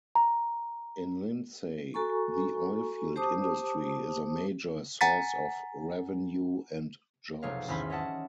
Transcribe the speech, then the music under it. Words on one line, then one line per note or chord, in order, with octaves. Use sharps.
In Lindsay, the oilfield industry is a major source of revenue and jobs.
A#5
F#4 A4 G#5 A#5 C#6
G4 C5 A5 D6 D#6
F#5 G#5 A#5 A6 B6
F1 B1 G#4 C#5 F5
G#1 E2 C#4 E4 B5 C6
C#5 D#5 E5 F#5 A5